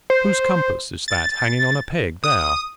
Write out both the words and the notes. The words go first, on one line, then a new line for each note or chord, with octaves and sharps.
Whose compass is that hanging on a peg there?
C5
A6
D#6